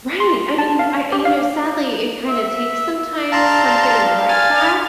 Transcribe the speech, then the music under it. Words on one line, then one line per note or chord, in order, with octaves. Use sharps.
Right! I mean, I you know, sadly it kinda takes, sometimes, something like that,
C6
A5
F5
G4
F5
E5
D4 F5 A5 A#5 C6
G#5 F6 A6